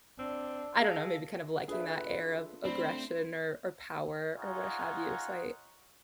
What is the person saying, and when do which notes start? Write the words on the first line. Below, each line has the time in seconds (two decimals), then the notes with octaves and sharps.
I don't know, maybe kind of liking that air of aggression or or power or what have you, so I
0.19 C4 D4 E6
0.80 G#4 F5 A5 A#6
1.68 D4 F4 G#4 A4 B4 E5
2.65 A3 C4 D4 C5 B5
4.36 D#4 F4 G#4 C#5 F#5